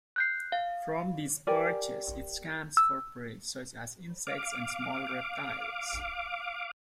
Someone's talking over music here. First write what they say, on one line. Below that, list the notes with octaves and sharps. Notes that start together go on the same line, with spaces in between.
From these perches it scans for prey, such as insects and small reptiles.
F#6 G6 C7
F5
G4 A#4 D5 G#5
E6
F5 D6